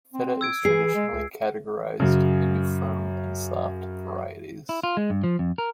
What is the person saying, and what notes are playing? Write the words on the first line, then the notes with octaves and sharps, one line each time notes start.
Feta is traditionally categorized into "firm" and "soft" varieties.
C4
E6 G#6 D7
E3 G#4 C7
G#3
C#2
F#2 C#3
E4
F4
G#3
G2
F3
F2
A#4